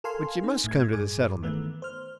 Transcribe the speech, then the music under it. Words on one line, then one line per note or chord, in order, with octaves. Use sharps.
But you must come to the Settlement.
A4 A#4 F5 G#5 C6
C4 D#4
A2 G#6
G2 G#4 D6
D#3 E3 A3 B3
C5 F6